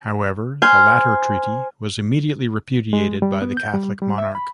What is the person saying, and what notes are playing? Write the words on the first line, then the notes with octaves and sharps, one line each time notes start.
However, the latter treaty was immediately repudiated by the Catholic Monarch.
C5 G#5 F6 G6
G#3
G3
B3
G6
G3
G3
E5
B5